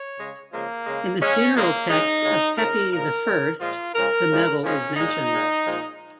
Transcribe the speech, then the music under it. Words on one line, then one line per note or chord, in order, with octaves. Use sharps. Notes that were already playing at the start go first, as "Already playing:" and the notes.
In the funeral text of Pepi the First, the metal is mentioned.
Already playing: C#5
C#3 G#3
C#3 F3 G#3 A#3
C#3 G#3
C#3 G#3 C#4
C#3 F3 G#3 A#3
C#3 G#3 D#4
C#3 G#3
C#3 F3 G#3 A#4
A#2 F3 G#3 A#4
C#3 G#3
A#2 F3 G#3 F4
C#3 F3 G#3 A#4
C#3 F3 G#3
C#3 F3 G#3 C#4
A#2 G#3 D#4
A#2 G#3
A#2 F3 G#3